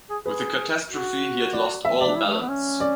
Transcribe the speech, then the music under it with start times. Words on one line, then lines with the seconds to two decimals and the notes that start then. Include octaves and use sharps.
With the catastrophe he had lost all balance.
0.10 G#4
0.24 G#4 B4
0.89 F#4
1.53 D5
1.85 E5
2.01 D5
2.07 D4
2.17 E4
2.26 G#3
2.33 A3
2.41 B3
2.49 C#4
2.80 D5